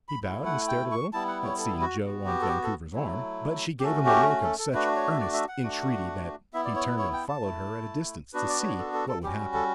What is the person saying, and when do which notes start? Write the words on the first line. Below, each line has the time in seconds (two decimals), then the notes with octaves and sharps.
He bowed and stared a little at seeing Joe on Vancouver's arm, but she gave him a look of such earnest entreaty that he turned and followed her at a distance to see what would happen.
0.09 B5
0.23 A3 E4
0.45 F#5
0.68 G5
0.91 C#6
1.13 G3 B3 E4 A5
1.28 F#5
1.44 C#5
1.58 A4
1.81 F#4
2.03 B3 F#4
2.26 G4
2.41 A4
2.48 G4
2.63 A4
2.93 F#3 A3 E4
3.79 G4
3.83 A3 C#4 F#4 A4
4.06 G4
4.29 F#4
4.43 A4
4.59 A4
4.73 A3 D4 F#4 B4
4.96 C#5
5.11 E5
5.19 D5
5.33 E5
5.48 F#5
5.63 A3 D4 F#4
6.53 B3 E4 E5
6.65 D5
6.75 C#5
6.88 B4
6.98 C#5
7.13 G5
7.28 A5
7.44 A3 E4
8.33 B3 D4 F#4 B4
8.49 D5
8.60 B4
8.63 C#5
8.79 A4
8.94 A4
9.08 A4
9.24 G3 C#4 F#4 G4
9.54 A4